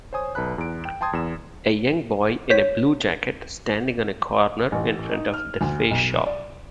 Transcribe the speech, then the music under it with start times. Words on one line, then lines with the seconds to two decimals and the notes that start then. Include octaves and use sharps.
A young boy in a blue jacket standing on a corner in front of THEFACESHOP.
0.13 C5 C#5 G#5 D#6
0.35 B1 B4 A5 B5 F#6
0.58 E2 D7
0.85 G5
1.01 G5 A5 C6 D#6 G#6
1.13 E2 E7
2.50 C5 C#5 B6
4.72 A1
5.11 D#4
5.33 F6
5.61 D2
5.91 B1
6.26 D5